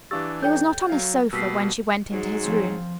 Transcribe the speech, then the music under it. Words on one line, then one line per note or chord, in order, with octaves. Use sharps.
He was not on his sofa when she went into his room.
E3 D4 G4 F5 D6 E6 A6
A4 C#5 G5 G6
F#3 F5
B2 G3 A#3 E6 B6 C7
G#2 F#3
F3 C4